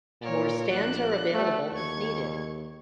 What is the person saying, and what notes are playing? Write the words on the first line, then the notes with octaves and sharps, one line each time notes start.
More stands are available if needed.
A#2 A#4 C#5
A#1 D4 F#6
A3
D#2 C#6 G#6